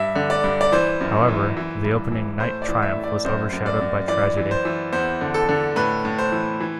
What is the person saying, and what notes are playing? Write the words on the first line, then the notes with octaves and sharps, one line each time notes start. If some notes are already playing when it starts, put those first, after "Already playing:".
However, the opening night triumph was overshadowed by tragedy.
Already playing: G2 E5
D3
D5
G2
D5
E3 C5
F#2
E3
E3
G2
E3
A2 C5
D5
E3
E5
A2
D5
F#2 C5
F#2
D5
F#2
E3 D5
E3
C5
E3
E2 C5
D3
A4
D3
A2 B4
A2
C5
E3
E3